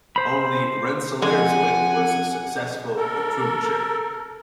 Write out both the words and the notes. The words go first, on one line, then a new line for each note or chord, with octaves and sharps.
Only Rensselaerswyck was a successful patroonship.
C5 B5
F2 G#3 F#5 G#5
A4 A#4